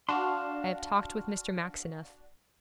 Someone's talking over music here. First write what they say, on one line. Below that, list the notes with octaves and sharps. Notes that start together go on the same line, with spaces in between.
I have talked with Mr. Maxineff.
D4 F#4 F5 A5 C6